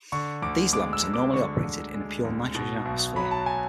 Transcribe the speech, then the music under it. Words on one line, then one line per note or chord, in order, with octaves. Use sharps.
These lamps are normally operated in a pure nitrogen atmosphere.
D3 C#6
D2 D6
G#3 D6
E6
D2
D6
D3 C#6
D2
G#3
D2
B2
B1
F#3 B5
A5
G#5